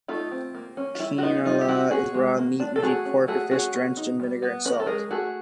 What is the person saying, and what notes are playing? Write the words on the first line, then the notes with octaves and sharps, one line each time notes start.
"Kinilaw" is raw meat usually pork or fish drenched in vinegar and salt.
A3 D#4 F4
C4
A#3
C#4
F4
G3 E4
F#4
B3 D#4 F4
G3 D#4 F4
G4
C4 E4 F#4
C#4 F#4 G#4
G#3
A#3
D4
A4
A3 F#4 G#4
C#4
A3 F#4 G#4
C#4 F#4 G#4
A#3
D#4
G3
B3
C#4 B4
A#4
A4
G#3 G#4 A#4
A3 F#4 G#4